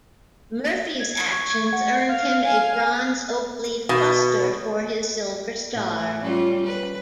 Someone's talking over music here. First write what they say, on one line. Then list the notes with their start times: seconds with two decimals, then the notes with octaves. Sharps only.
Murphy's actions earned him a Bronze Oak Leaf Cluster for his Silver Star.
1.00 G#6
1.32 C#6
1.73 F#5
2.09 F5 F6
2.45 G#5 F6
3.89 B2
5.73 A2
6.22 G3 C#4 F4
6.67 B4